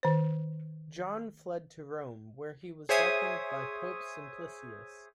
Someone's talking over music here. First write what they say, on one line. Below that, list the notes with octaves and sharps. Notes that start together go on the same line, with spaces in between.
John fled to Rome, where he was welcomed by Pope Simplicius.
D#3 C5
G#4 C5 C#5 E5 G#5 D#6